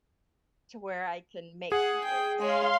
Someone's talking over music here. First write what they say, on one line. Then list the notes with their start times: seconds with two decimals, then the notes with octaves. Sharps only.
to where I can make some things.
1.72 G#4 F#5
2.04 G5
2.40 G#3 C#5 F5 C6